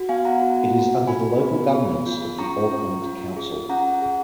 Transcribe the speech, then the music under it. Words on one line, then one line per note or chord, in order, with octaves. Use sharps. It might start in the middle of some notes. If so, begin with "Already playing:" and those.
It is under the local governance of the Auckland Council.
Already playing: F#4
B3 F5 G#5
F#5 A#5
F#4
F#4
F#4 G#5 B5
B3
G#4
F4
C#4 A#5 C#6
C#4
F4
G#4
C#4 F#5 A#5
G#4